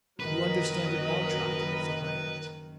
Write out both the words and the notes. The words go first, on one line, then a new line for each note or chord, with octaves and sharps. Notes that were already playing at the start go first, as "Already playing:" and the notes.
'You understand it now, Trot,' said my aunt.
F#1 D#3 F#3 A#4 B4 D#5